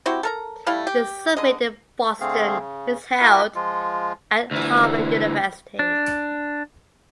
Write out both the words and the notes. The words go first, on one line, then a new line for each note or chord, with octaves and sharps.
The summit in Boston is held at Harvard University.
C4 E4 F#4 G4
A4 A#4 A#5
G3 A3 E4 F5
G4
D3 G#3 D#5
D3 A3 C4 G#4 F5
C#3
E4 F#4 A#4 B4 E5
F3 G#3 F4
D2 E3
D4